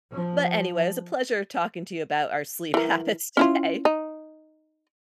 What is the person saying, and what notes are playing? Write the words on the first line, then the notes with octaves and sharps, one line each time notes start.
but, anyway, it was a pleasure talking to you about our sleep habits today.
F3
E3 A#4
C#4 E4 F4
D#4